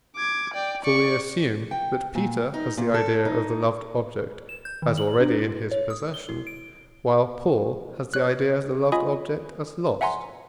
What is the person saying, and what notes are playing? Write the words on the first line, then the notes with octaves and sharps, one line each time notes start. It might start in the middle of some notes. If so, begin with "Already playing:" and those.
For we assume that Peter has the idea of the loved object as already in his possession, while Paul has the idea of the loved object as lost.
D6 G#6
D5 G5
D5 C#6
G5
A#2
D#4
A#2
A4
D#4
E7
G6
D#3
F#7
D4
E4
C#5
D#6
G7
E4
D7
C#5 F#6
F4 D#5 G#5 B5 D#6
E5 F#5 G#5 A#5 C6